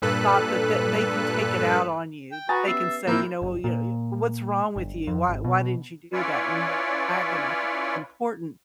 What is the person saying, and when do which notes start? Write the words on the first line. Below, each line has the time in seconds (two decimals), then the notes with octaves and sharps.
thought that th they can take it out on you. They can say, "You know, well, you you, what's wrong with you? Why why didn't you do that?" And they agoni I think important
0.02 G2 A#2 A4 B4 F#6
2.32 G5
2.49 F#4 B4 G#5 A#5 D#6 A6
2.67 B3 C#4 G4 E5 C7
3.07 A1 A#3 C4 E4 A#4 G6
3.42 F#1
3.64 A#2
4.76 G1
5.07 F2
5.28 G#1
5.44 B2
6.13 C#4 E4 F4 B4 C#5 D5